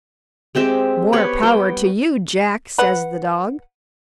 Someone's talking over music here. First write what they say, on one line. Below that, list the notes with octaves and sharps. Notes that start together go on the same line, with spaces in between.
"More power to you, Jack," says the dog.
G#3 C4 G4 E5
B3 G4 B4 C#5
G3 E4 G5
B4 F#5